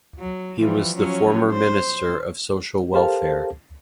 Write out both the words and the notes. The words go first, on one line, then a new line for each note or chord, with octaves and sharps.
He was the former Minister of Social Welfare.
F#3
E3 F3 G3
F3 F#3 C#4
C5
G4 A4 A#4 C5 F5 A5